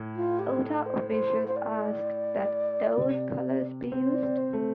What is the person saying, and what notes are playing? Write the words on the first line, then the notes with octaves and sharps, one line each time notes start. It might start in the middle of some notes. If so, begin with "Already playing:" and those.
Utah officials asked that those colors be used.
Already playing: A2
F4
G4
A4
C5
C5
C5
D5
C3
C4 C5
D5
C4
C5
A3